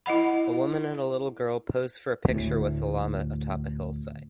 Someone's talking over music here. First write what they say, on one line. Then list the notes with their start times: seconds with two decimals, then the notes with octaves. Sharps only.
A woman and a little girl pose for a picture with a llama atop a hillside.
0.06 E4 D#5 F#5 B5
2.29 D2 A2